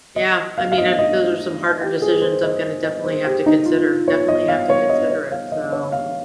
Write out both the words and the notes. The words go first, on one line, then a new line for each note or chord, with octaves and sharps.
Yeah, I mean, I those are some harder decisions I'm gonna definitely have to consider, definitely have to consider it, so
D#5
F5
F5
D#5
D#5
G4
G#4
C5
D#5
D#5
C5
G4
D#4
F4
C#5
D#5
F5
C#5
D#5
C#5
F5
D#5
C#5
F5